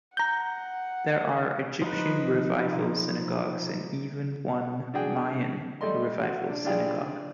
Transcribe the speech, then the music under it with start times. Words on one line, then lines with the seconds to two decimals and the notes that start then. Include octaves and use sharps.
There are Egyptian Revival synagogues and even one Mayan Revival synagogue.
0.17 F#5 A#5 G6
1.82 F3 D#4 B4
4.94 D4 F#4 G#4 G5
5.81 G3 A3 D5 D#5 C6
6.22 F#4
6.49 D4
6.65 D4 E4 F4 G4 G#4 D5